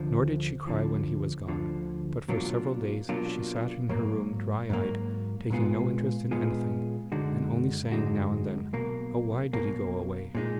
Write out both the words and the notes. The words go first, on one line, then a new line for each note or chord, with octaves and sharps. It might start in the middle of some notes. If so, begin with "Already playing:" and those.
Nor did she cry when he was gone; but for several days she sat in her room dry-eyed, taking no interest in anything and only saying now and then, "Oh, why did he go away?"
Already playing: D2 D3 F3
D2 D3 F3
D2 D3 F3
B2 F#3 A#3 D4 F4
B2 F#3 A#3 D4 F4
G#2 F#3 A#3
G#2 F#3 A#3
A#2 G#3 B3 F4 G#4
A#2 G#3 B3 F4 G#4
F#2 D3 G#3 D#4 F#4
F#2 D3 G#3 D#4 F#4
B1 B2 A#3
B1 B2 A#3
A#2 G#3 D#4